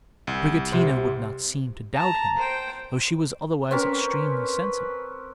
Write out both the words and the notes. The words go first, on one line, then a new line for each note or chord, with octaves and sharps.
Abricotina would not seem to doubt him, though she was otherwise extremely sensible.
C2
C3
A5 A#5
C5 G5
C4 C#4 A#4 B4